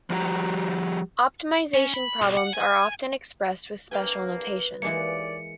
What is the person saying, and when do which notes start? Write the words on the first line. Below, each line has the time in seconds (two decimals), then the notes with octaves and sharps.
Optimization problems are often expressed with special notation.
0.10 F3 G3 F#4 G4 A#5
1.74 C#4
1.94 B5
2.22 B1
2.37 F#5
2.53 G#5
3.91 C2 G2 A#3 B4 F5 G5 G#5
4.82 D#2 E3 G#3 A#3 D5 C#7